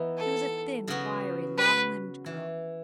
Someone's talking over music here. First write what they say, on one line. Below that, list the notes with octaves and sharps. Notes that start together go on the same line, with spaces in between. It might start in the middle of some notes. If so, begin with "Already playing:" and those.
She was a thin, wiry, long-limbed girl.
Already playing: E3 B3 D#4
A4
C#3 F#3 B3 F#4
B4
E3